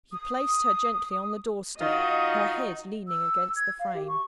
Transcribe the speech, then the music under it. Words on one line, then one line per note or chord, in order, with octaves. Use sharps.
He placed her gently on the door-step, her head leaning against the frame.
D#6
D#3 D#4 F4 F#4 D#5
E6
G#6
F5
G4
C#6